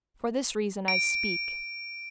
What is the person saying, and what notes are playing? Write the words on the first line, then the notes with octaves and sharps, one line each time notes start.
For this reason I speak.
D7